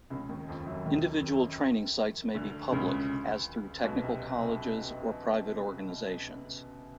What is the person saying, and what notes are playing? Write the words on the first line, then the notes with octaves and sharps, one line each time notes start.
Individual training sites may be public, as through technical colleges, or private organizations.
C#2 C#3
D#2 D#3
F2 F3
F#2 F#3
D#2 D#3
D2 D3
C#2 C#3
B1 B2
C3